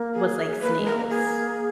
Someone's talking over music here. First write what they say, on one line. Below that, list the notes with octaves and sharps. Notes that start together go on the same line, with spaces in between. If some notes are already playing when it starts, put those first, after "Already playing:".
was like snails.
Already playing: A#3
G#4
A#3 B4
G#3
A#4
A#3
G#4